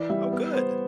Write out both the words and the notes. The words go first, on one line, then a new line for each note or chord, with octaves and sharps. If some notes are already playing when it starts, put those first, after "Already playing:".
Oh, good.
Already playing: E3 D5
G3 E5
B3
B3 C5